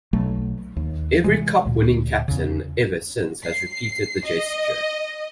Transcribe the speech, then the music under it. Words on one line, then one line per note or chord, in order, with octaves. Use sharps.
Every Cup-winning captain ever since has repeated the gesture.
B1 F#3 A3
D#2
C3 E3 G#3
D2 A#2
E2 C#3
C7
D#5